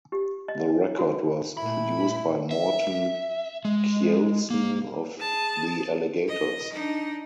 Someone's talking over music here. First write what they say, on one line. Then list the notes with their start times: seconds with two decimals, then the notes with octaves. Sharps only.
The record was produced by Morten Kjeldsen of The Alligators.
0.12 G4
0.48 D#5
0.99 F#4
1.57 A#2 A3 E4 B5
2.51 E5
3.65 G#3
4.50 A#3
5.18 G#4 A5
6.28 D#5
6.73 D4 D#4